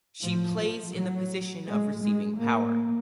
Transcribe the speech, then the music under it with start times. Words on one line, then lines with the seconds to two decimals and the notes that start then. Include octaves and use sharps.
She plays in the position of receiving power.
0.22 A2 F3
0.58 F3
0.94 A2 F#3
1.66 A2 G#3
2.02 G#3
2.38 A2 A#3